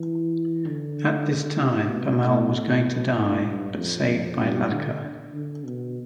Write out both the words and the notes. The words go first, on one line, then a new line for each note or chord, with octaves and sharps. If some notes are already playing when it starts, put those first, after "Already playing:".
At this time Pemal was going to die but saved by Lachha.
Already playing: E3
D3
C3
B2
A2
A2
B2
A2
G2
F2
F2
G2
D3
D3
B2